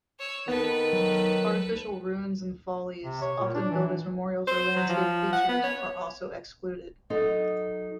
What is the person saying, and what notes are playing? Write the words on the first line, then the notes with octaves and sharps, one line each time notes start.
Artificial ruins and follies, often built as memorials or landscape features, are also excluded.
C#5 E6
D#3 B3 A4 B4
F#3
C3
C#5
A#2
D4
E3
C5
F#3
F3
F#5
B3
C#5
F#3 D#4 A4 C5 D#5